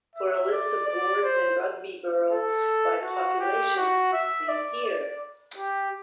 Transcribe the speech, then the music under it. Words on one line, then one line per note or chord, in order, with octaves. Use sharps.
For a list of wards in Rugby borough by population see here.
E5
D5
D5
C5
A4
F#4
G4
F#4
E5
D5
D5
G4